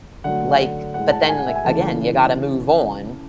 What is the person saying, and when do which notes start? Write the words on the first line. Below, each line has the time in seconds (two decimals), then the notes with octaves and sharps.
like but then, like, again, you gotta move on,
0.24 D3 F#3 A3 F#5
0.94 A2 G#3 F#5
1.12 A5
1.29 G#5
1.38 F#5
1.46 E5
1.56 G#5
1.64 C#3 E3 A3 A5